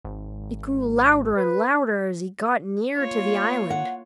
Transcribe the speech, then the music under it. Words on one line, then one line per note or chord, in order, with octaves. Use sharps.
It grew louder and louder as he got nearer to the island.
G#1
B4
A#3 F4 C#5
F#5